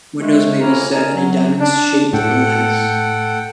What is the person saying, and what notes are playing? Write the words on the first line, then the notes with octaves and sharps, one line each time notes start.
Windows may be set in a diamond-shaped lattice.
D#2 G#3 A3
F2 A2 A#3 C#4 E4 A#5
D4 D#4 A#4 G#5 A#5
F#3
D4
A2 A4 F#5 G5